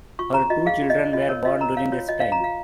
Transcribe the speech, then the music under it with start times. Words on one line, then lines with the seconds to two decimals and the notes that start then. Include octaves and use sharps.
Her two children were born during this time.
0.19 F4 C#6
0.34 G#4 A#5
0.50 F4 D#5
0.66 G#4 F5
0.81 F4
0.90 D#5
0.98 C#5
1.13 F4 D#5
1.29 A#4 C#5
1.45 F4 D#5
1.61 A#4 A#5
1.77 C#5 F5
1.92 F4 C#5
2.08 F4 D#5
2.20 C#5 F5
2.32 A#5
2.40 F4 F5